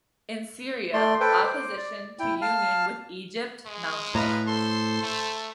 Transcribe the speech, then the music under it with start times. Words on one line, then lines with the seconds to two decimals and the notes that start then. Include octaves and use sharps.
In Syria, opposition to union with Egypt mounted.
0.94 A3 D5 C6
1.20 A4 B4 C5 G5
1.44 C5 D6
1.77 D5
2.19 E4 G5
2.42 F5 A5 F6
3.66 G#3
4.15 A2 B4 F5 A#5
4.47 A4 C5 C6
5.03 A3